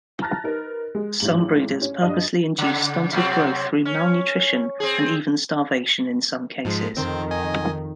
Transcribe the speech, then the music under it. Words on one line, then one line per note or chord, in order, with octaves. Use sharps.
Some breeders purposely induce stunted growth through malnutrition and even starvation in some cases.
A5 A#5 F6 F#6 A6 A#6
D#4 A#4 B4
G#3
A1 G#2 F#7
C#4
G2 D4 D#5 D#6
C#3
C3 F#3 C4
C#4
C4 G#4
G#2 F3 G#3
F2 D#3 C4 C5
D#5 G#5